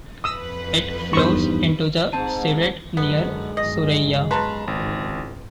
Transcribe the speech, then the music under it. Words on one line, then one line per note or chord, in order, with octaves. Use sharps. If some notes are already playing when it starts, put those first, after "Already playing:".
It flows into the Siret near Suraia.
F2 B4 D#6 E6
E2 G2 B3 D#4 G4 C5 C#6
G#2 C4 A5 D#7
F#2 D3 D#3 G#3 B3
G1 D#3 F#3 D#5
C#3 B4 A5 A#5 C6
G#1 C#2 G#2 E3